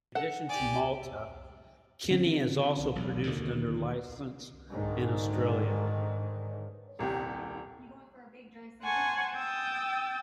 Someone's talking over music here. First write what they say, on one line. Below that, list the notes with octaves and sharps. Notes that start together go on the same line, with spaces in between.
In addition to Malta, Kinnie is also produced under licence in Australia.
A4 F#5
G4 D5 G#5
D3 C4 C#4
E1 B1
D#2 B2 D3 D#3
G#2 D3 D#3
D#1 C2 G4
C5 F#5 G#5 A5 C#6
G5 D#6 E6 G6 A6